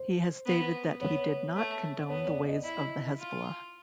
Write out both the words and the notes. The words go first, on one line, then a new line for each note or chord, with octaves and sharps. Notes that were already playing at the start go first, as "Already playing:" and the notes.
He has stated that he did not condone the ways of the Hezbollah.
Already playing: C5
B3
B3 C#5
A3
B3 C#5
D5
D#5
E4
F4